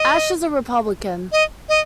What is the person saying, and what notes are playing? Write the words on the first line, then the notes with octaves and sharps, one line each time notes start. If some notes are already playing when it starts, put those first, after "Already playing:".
Ashe is a Republican.
Already playing: D#5
D#5
D#5